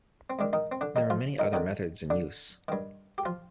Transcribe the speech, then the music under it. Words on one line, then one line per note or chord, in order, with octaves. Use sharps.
There are many other methods in use.
C4
G#2 D#3 D4
D#3 D#4
C4
D3 D4
D#3 D#4
F3 F4
D#3 D#4
F2 D3 D#3 D#4
D3 D4
G2 D#3
G4
F3 F4